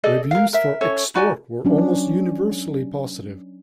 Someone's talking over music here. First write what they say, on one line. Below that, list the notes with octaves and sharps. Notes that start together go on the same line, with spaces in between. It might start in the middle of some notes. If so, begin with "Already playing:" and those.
Reviews for "Xtort" were almost universally positive.
G#4 A4 D5 D#5
A#4 F5
A#4 E5
C#4 A4 C#5
D#4 F#4 D5 G#5
F#3 C#4 D4